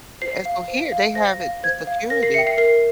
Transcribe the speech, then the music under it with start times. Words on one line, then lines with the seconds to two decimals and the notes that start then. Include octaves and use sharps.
Yeah, so here, they have it, the security.
0.22 C5 C7
0.45 F5
0.68 C5
0.92 F5
1.15 C5 A#6
1.40 F5
1.63 C5 G#6
1.87 F5
2.10 A#4 A#6
2.23 C7
2.34 E5 G5 C#7
2.47 C7
2.58 A#4 C7